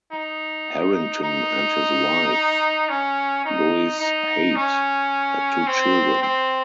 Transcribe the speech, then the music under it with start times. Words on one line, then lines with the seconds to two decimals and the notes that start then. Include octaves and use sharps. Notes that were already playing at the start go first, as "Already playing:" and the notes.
Herrington and his wife, Lois Haight, had two children.
0.12 D#4
1.22 D#4
2.89 C#4
3.45 D#4
4.00 D#4
4.56 C#4
5.67 C4
6.22 C4